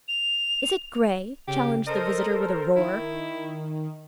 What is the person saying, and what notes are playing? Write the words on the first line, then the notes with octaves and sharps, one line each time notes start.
"Is it grey!" challenged the visitor, with a roar.
F7
C#3 G4
A4 A#4 C5 D#5
D#3 E4